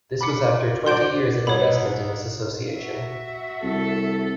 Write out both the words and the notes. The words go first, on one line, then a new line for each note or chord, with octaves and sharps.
This was after twenty years of investment in this association.
B5 D6 C#7
F#4 C5 D5 C6 G6 D7
C2 C#5 B5
F#4 E5
C2 A4